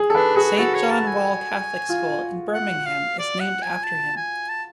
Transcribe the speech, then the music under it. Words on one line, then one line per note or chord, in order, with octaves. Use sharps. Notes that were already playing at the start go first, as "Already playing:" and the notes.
Saint John Wall Catholic School in Birmingham is named after him.
Already playing: G#4
A4
D4 B4
F#4 G#4
F#4 A4
C#5
A5
G#5
F4
F#5
F5
D5
F#5
G#5
A5
G#5
A5